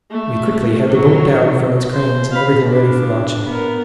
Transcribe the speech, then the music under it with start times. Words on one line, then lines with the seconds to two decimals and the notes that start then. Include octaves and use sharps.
We quickly had the boat down from its cranes, and everything ready for launching.
0.11 A3
0.88 F#3
1.92 C5
2.31 F5 B5
2.65 D4
3.46 B3 A#4